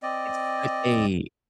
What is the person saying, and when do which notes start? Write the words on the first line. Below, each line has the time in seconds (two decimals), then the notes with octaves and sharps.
it's such a
0.03 C4 D5 D#5